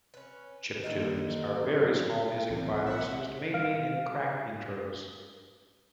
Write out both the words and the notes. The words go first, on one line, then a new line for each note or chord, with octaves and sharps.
Chiptunes are very small music files used mainly in crack intros.
C#4 B4
D#2 D3 D#3 D#4
F#2
B1 E3 C4
E5 F#5
F5 F6 D7